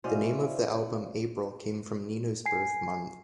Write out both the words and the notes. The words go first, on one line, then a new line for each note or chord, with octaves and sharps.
The name of the album "April" came from Nino's birth-month.
B2 C#4 E4 C5 D5 F5
G#5 C7